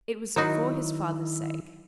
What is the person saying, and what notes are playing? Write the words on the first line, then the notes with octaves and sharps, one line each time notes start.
It was for his father's sake.
D#3 F#3 D#4 E4 F#4